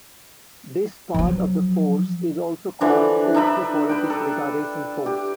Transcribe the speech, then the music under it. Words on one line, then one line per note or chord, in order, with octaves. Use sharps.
This part of the force is also called electrophoretic retardation force.
F3 F#3
D3 E3 F3 D4
D4 D#4 E5 B5
B4 G5
D4 A4
G4